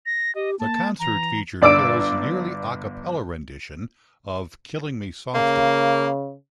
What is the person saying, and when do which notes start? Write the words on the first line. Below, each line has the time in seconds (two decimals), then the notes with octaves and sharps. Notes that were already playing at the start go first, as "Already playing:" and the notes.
The concert featured Hill's nearly a cappella rendition of "Killing Me Softly".
0.06 A#6
0.35 G4 D#5
0.60 A#3 A5
1.00 E3 A#5
1.62 G1 D5 D6 E6 D7
5.35 C#3 A#3